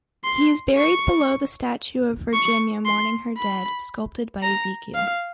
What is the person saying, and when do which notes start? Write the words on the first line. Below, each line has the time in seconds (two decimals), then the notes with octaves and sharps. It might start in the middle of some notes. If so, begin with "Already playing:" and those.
He is buried below the statue of Virginia Mourning Her Dead sculpted by Ezekiel.
0.24 C6
0.77 C#6
2.34 C#6
2.86 C6
3.38 B5
4.43 A#5
4.95 F5